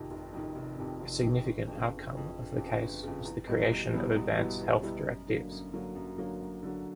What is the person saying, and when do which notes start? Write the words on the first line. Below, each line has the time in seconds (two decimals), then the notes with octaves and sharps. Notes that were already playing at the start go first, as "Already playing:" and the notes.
A significant outcome of the case was the creation of advance health directives.
Already playing: F2 C3 D#3
0.11 F1
0.33 F2 C3 D#3
0.55 F1
0.78 F2 C3 D#3
1.01 F1
1.23 F2 C3 D#3
1.45 G1
1.68 F2 C#3
1.90 G1
2.13 F2 C#3
2.35 G1
2.58 F2 C#3
2.81 G1
3.03 F2 C#3
3.25 E2
3.47 B2 G3 B3 E4
3.71 E2
3.93 B2 G3 B3 E4
4.16 E2
4.38 B2 G3 B3 E4
4.61 E2
4.83 B2 G3 B3 E4
5.06 F#2
5.28 D3 F#3 A#3
5.51 F#2
5.73 D3 F#3 A#3
5.95 F#2
6.18 D3 F#3 A#3
6.40 F#2
6.63 D3 F#3 A#3